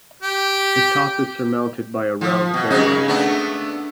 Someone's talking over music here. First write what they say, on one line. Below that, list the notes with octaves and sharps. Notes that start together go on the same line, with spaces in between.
The top is surmounted by a round barrow.
G4
F3
B2
C#3 G#3 D#4
A3 B3 D4